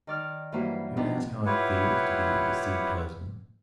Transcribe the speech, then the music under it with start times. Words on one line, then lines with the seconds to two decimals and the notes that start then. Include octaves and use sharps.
You ask how it feels to be a deceived husband.
0.07 D#3 D5 F6
0.52 G2 E3 F#3 A#3 C5
0.97 C3 F3 B3 C4 D4 D#4
1.46 E4 F4 G4 B4 C#5 F#5